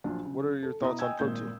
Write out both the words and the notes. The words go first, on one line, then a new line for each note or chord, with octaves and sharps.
What are your thoughts on protein?
A#1 F#3 D4 F4
C#3
A4
B2 E4 A#5 D#6
D#5 G5 G#5 E6 G#6
G#1 A#2 G6